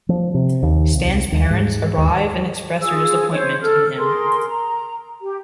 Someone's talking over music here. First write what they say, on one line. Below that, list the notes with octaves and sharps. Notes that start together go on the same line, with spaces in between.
Stan's parents arrive and express their disappointment in him.
F3
C3
D#2
C2
D#2
G#2
D#2
F4 G#4 E6
C5 C#5
A4 F6
G#4 A#4 C6
A#5
G4